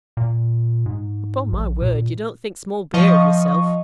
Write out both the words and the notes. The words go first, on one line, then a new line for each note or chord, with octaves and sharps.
'Upon my word, you don't think small beer of yourself!
A#2
G#2
A#1
A#2
F3 D#5 F5 C#6